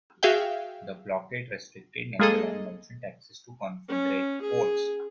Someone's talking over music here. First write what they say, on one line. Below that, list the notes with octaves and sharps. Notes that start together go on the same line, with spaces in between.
The blockade restricted naval and merchant access to Confederate ports.
F#4 G#4 E5 F5 G5
G#3 A#3 G#4 A4 D#5
C#4
G#4